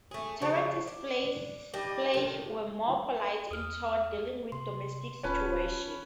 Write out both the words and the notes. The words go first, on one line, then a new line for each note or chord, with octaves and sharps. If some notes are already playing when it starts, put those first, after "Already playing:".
Terence's plays were more polite in tone, dealing with domestic situations.
A3 G#4
C#3 F3 D4 F#4
D4
G3 D4 D#4 D#5
C3 D#3 A4
E2 D#6 F6
C3 C6
D1 C#4 F4 B4 A5 B5